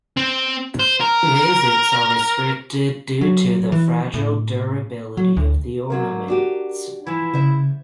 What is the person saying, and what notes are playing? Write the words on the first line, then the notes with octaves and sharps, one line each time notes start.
Visits are restricted due to the fragile durability of the ornaments.
C4
C5
A#4
F#3
E3
A2
F#3
D2
D3 F#3 C4 A#4
D4 F#4 G4
E3 F3 E4
C#3 C5 E5